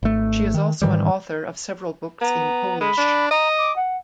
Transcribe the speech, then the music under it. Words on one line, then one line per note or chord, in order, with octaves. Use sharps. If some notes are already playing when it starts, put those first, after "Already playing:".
She is also an author of several books in Polish.
G#1 A3
D#3
G#2 D#3 E3 G3
B3 A#5
G#3 B5
D4
D#5 A#5
D6
F#5